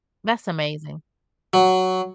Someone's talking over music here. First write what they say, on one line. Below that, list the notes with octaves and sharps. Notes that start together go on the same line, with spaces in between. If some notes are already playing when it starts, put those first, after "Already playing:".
That's amazing.
F#3